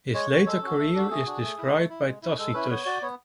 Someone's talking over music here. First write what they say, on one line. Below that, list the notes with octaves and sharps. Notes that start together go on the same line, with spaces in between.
His later career is described by Tacitus.
G#3 C#5
C#4 F#4
G#3 A4
C#4 F#4
A3
D4 F#4
A3 G#4
D4 F#4
A3
E4
A3
E4
G#3
C#4 E4
G#3 A4
C#4 E4 B4
B3 C#5
F#4 D5
B3 C#5